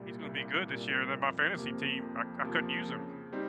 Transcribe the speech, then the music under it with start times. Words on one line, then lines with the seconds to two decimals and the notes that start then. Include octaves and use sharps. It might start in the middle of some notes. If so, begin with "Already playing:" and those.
"He's gonna be good this year," and then my fantasy team, I I couldn't use him.
Already playing: C2 A#2 G3
0.22 C2
0.67 A#2 G3
1.11 F2
1.55 C3 F3 A#3
1.99 F2
2.44 C3 F3 A#3
2.88 C#3
3.33 G3 C4 D#4